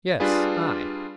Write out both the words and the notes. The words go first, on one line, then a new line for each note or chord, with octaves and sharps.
"Yes, I!"
G3 D4 F4 G#4 B4